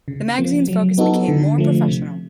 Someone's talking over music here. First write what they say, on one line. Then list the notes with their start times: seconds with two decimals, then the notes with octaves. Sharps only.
The magazine's focus became more professional.
0.08 C#3
0.38 F3 A#3
0.68 F#3
0.98 B3 D#4 F#4 A4
1.28 D3
1.58 F3 A3
1.88 C3